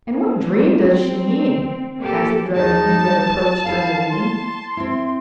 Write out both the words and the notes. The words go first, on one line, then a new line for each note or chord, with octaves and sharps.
"And what dream does she mean?" asked the dragoon, who had approached during the reading.
A#3
C4
A#3 G4 A4
D#2 F3 D#4 G#4 A5
G3
E4 A4 F5 F#5
C6
C4 E4